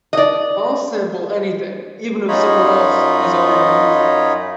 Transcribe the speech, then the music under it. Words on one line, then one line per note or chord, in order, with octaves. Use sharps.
I'll sample anything, even if someone else has already used it.
D5 D#5
F#2 D#4 F4 C#5 D#5 B5